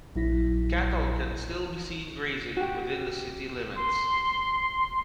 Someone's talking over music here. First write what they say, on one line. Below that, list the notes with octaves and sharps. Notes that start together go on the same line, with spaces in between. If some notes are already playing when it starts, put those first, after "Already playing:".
Cattle can still be seen grazing within the city limits.
A#1 F#3 E4 A#6 B6
F#4 G4
C6